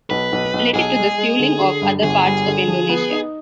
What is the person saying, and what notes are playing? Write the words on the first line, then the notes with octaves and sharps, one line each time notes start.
It is related to the suling of other parts of Indonesia.
B1 B4
B1
B1
B1 G#4
G#3
G#3
D3
D3
G2
G1 G#4
G3
D3
F3
B3
D#4